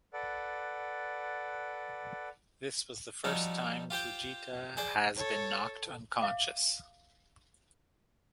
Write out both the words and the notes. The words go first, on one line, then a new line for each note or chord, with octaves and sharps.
This was the first time Fujita has been knocked unconscious.
A4 B4 D5 F#5
F3 G3 C4 D#4 F#4
F4 G4 C5 G5
G#4 C5 D5
A4 C#5
E5 F5 D6